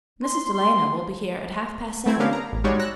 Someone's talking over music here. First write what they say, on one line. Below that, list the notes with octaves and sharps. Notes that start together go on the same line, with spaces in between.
Mrs. Delano will be here at half past seven.
C6
C6
A3 C4 E4 G#6
B3 C#4 D4 G4 A#4 F5
A#5
A1
G3 G#3 D#4 F#4 C#5 D5
E6 F#6 A#6